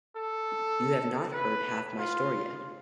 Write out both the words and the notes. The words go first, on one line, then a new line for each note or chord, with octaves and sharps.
You have not heard half my story yet!
A4
B4
F4